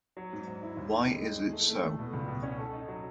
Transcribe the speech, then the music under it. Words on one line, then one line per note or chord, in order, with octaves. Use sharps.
Why is it so?
F#3
G#2
G#2
E4
D#2
D#3
D#4
G#3
E3
A3
A3
A3
B2
C#2
B2
C#4
A4
D#4
F#3